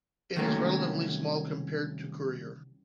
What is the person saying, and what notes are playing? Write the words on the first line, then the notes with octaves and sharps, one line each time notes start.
It is relatively small compared to Courier.
C2 D#3 F#3 A3 A#3 C#4